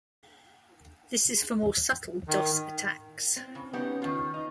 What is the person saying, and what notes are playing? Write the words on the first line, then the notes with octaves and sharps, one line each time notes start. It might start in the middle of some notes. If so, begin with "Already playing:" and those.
This is for more subtle DoS attacks.
D#3
C4
C#3
C#3 B3 D#4 G4 F#5
D#3 F4
D#4